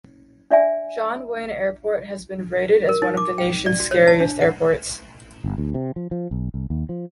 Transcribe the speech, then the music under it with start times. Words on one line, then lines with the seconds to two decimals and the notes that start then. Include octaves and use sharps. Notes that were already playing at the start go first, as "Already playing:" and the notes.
John Wayne Airport has been rated as one of the nation's scariest airports.
0.51 D4 D5 E5 G#5
2.89 A#4
3.02 D#4
3.17 D6
3.38 G5
3.66 D5
3.80 F#4
3.91 C#5
4.07 A5
4.20 D4
4.41 F#5
5.44 G1
5.58 D2
5.74 C3
5.96 F3
6.11 F3
6.31 B1
6.54 C2
6.70 D#2
6.89 F3